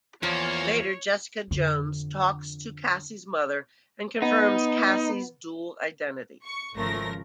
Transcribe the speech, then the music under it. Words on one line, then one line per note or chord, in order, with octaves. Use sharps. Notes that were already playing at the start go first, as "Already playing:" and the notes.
Later, Jessica Jones talks to Cassie's mother and confirms Cassie's dual identity.
E2 F3 A#3 C#5
F2 D3
B3 D#4
C#6
G#1 C#3 F3 A3 A#4 A#6